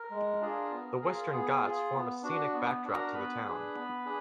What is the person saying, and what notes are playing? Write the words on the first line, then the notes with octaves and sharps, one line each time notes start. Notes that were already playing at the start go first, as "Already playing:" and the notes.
The Western Ghats form a scenic backdrop to the town.
Already playing: A#4
G#3
D4 F4 G#4
B3
F4 G#4
B3 G#4
F4 G#4
B3
D4 F#4
B3
D4 F#4
A#4 A#5
B3 B4 B5
D4 G#4
B3
D4 G#4